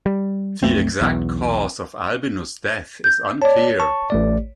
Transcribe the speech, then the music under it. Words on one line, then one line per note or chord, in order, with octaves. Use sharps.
The exact cause of Albinus' death is unclear.
G3
B1 F2 A3 C4
B1 E2
G6
C#5 D5 A5
A5 C#6
A1 A3 D5